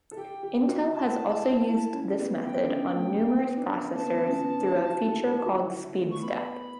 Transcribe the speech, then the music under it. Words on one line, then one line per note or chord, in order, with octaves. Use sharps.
Intel has also used this method on numerous processors through a feature called SpeedStep.
A4
G4 G5
G4
F#4
E4 A5
E4
C#4
B3
B3 G5
D4
C#4
A3
B3
D4
C#4
B3 A5
B3
C#4
B3
D4
E4
F#4
A4
G4
F#4
E4
E4
A3
C#6
B3 B5